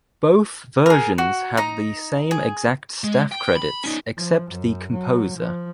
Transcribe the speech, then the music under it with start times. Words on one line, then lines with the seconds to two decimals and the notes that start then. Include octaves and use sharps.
Both versions have the same exact staff credits except the composer.
0.86 G#4 A#4
1.18 F#4
1.57 D#4 A#5
2.31 G#4
3.04 G#3
3.32 G5
3.55 B5
3.84 C#4 D#4
4.17 F3
4.51 F#2
4.93 F#3
5.38 F3